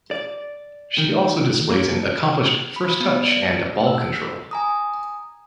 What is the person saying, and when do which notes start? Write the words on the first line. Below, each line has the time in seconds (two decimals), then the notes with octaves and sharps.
She also displays an accomplished first touch and ball control.
0.11 D5
0.98 D#3
1.70 A#3
2.76 B5
3.00 B3
3.23 D5
3.87 E6
4.51 G#5 A#5 D#6